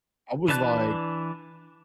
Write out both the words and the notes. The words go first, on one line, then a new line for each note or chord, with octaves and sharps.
I was like
E3 D4 A5 F#6